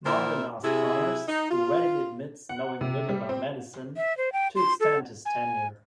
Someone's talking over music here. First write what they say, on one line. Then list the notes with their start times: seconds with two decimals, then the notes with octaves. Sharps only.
Mongan asked "Connors, who readily admits knowing little about medicine" to extend his tenure.
0.06 A#2 E4 A#4 C5 D5 E5
0.64 C3 E4 G#4
1.28 D#4
1.51 F4
2.49 F#5
2.81 C3
3.09 G3
3.29 C4
3.97 E5
4.17 C5
4.33 G5
4.56 C6
4.80 A4
5.26 G#5